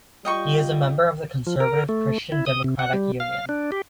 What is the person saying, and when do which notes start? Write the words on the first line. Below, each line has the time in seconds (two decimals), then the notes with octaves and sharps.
He is a member of the conservative Christian Democratic Union.
0.25 G3 F4 D#5 G5 C#6
1.47 F3
1.60 A#4
1.89 A3
2.32 E4
2.46 D#6
2.64 C3
2.79 F#5
2.94 G3
3.20 F5
3.49 D4
3.72 G4